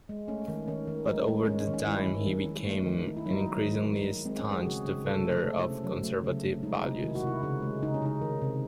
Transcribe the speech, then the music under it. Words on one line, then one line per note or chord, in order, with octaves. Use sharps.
But over time, he became an increasingly staunch defender of conservative values.
G#3
A3 C#4
D#3
D#3 C#4
D#3
G#3
G#3
G#3 C#4
C#4
D#3
C#4
D#3 E4
D#3
D#3
D#3
A3
D#3
D#3 D#4
E4
F#3 D#4
D#3
D#3
D#3
G#3
G#3 C4
C#4
G#3
G#4
F#4
C#3 G#4
C#3
C3 A4
A3
A4
A3 C5
E4
C3
C#4
F#3 C#4
A3
C#3
A3
G#3 D#4
C3
D#3 E4
F#4
C3 E4
C#3 E4
G#3
C#3 D#4
C#4
C#3 D#4
D#3
C3